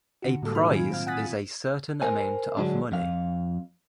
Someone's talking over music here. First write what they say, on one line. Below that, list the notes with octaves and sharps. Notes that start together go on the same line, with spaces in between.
A prize is a certain amount of money.
D3 F#4
A2 G3 G#3 A#3 A4
B2 D#4 B5 F6
D#3 F#3 F4 G#5 D7
C4 F5
F#5 G#5 D#6 F#6 A6 B6
A#4 C5 G#5
D3 F#3 G#3 D4
F2 F5